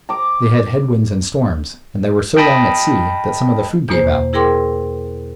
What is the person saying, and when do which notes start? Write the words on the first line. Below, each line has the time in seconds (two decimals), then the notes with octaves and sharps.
They had head-winds and storms, and they were so long at sea that some of the food gave out.
0.09 A#5 D6
2.36 D#5 G5 A5 B5 D#6 A#6
3.89 E2 B2 A#3 C5
4.33 E4 G#4 A#4 G5 C6 D6